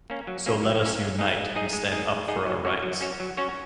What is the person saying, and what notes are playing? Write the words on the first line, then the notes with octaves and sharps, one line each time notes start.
So let us unite and stand up for our rights.
A#3 C#4
F#3
A#3 C#4
F#3
A#3 C#4
G#3
D#4 G#4 D#5
G#3
D#4 G#4 D#5
G#3
D#4 G#4 D#5
G#3
D#4 G#4 D#5
F#3
C#4 F#4 C#5
F#3
C#4 F#4 C#5
F#3
C#4 F#4 C#5